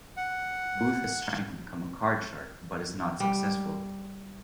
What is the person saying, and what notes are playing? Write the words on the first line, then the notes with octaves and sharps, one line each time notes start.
Booth is trying to become a "card shark", but is not successful.
F#5
G3